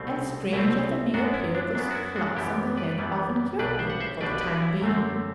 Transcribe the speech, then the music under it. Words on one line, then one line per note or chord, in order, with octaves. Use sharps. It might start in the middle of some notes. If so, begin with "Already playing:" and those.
And, strange as it may appear, those clumps on the head often cured me--for the time being.
Already playing: C2 B2 A3 C4
C2 B2 A3 C4 E4
F#2 F#3 B3 D4 F#4
E4
D4
F#2 F#3 B3 D4
F#4
E4
D4 F#4
F#2 E3 G3 B3 E4 G4
B4 D5
F#2 E3 G3 B3
B1 B2 G3 D4 B4 D5
C5 E5
F#5
C5 E5
B1 B2 G3 D4 B4 D5
B4 D5
E4
F#2 D3 A3 C4